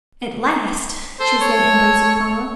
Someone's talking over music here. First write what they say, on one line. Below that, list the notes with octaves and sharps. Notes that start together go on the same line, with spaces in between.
"At last," she said, embracing Paula.
A4 C5
C#5